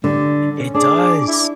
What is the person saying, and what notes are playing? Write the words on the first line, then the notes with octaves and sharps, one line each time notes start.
It does.
D3 G3
C#4
D4 G#4 D6
E4